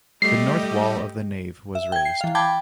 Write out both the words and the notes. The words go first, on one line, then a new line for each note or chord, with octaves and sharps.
The north wall of the nave was raised.
G3 A3 G4 D#5 C7
E5
G5 G#6
C7
E3 F5
G5 A5 B5 D6 G#6